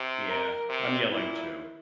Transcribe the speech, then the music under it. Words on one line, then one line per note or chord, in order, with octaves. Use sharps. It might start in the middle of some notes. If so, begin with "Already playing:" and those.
Yeah, I'm yelling too.
Already playing: C3
A#4
C3
A#2 E4